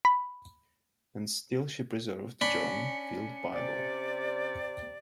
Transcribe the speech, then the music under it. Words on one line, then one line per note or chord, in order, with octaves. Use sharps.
And still she preserved John Field’s Bible.
B5
C#4 D4 B5
C3 D5